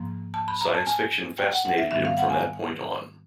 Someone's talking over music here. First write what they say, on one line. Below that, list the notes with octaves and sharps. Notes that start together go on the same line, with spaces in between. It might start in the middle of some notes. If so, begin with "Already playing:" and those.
Science fiction fascinated him from that point on.
Already playing: G#2 F3 A#3
A5
B5
A#5
A5
G#5
G5
F#5
F#5
E5
G#2 D#3 G3 B3 E5
F5
F#5
G#5